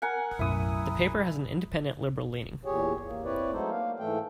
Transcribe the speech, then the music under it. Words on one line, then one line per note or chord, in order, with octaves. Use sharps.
The paper has an independent liberal leaning.
A#4 F#5 G#5
B1 F#2 A2 E4 D#6
E2 A#2 G4 G#4 C#5
A#3
C4 E4 B4 C#5 D5
F#3 G#3 A3 D#4 A4 C5
A#3 F5
G#2 E3 A3 A4 G5